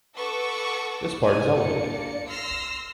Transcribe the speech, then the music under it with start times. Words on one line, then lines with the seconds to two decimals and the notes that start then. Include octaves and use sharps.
This part is elevated.
0.17 A4 B4 F#5 C#6 D6 E6
1.23 G#5
1.54 A#3 D4 D5 C#7
2.28 C6 E6 F6 A#6 C7